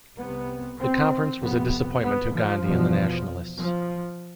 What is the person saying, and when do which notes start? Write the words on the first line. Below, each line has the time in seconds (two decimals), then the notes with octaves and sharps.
The conference was a disappointment to Gandhi and the nationalists.
0.18 C2 C3 B3
0.81 C4
1.41 F2 C3 B3
2.03 B3
2.34 F3
2.64 E2 B2
3.57 F3